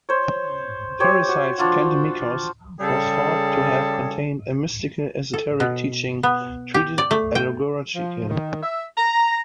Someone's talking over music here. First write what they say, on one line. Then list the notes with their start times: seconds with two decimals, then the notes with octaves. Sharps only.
Pherecydes' "Pentemychos" was thought to have contained a mystical esoteric teaching, treated allegorically.
0.09 C5 C#5
1.00 G4 C5 C#5
1.29 F#4
1.58 D4 F4 F#4
2.79 C#3 G3 G#4 A4
5.34 A4
5.60 B2
6.23 B3
6.74 G4
6.98 D5
7.11 A3
7.35 G5
7.96 F3
8.29 D#3
8.63 E5
8.98 A#5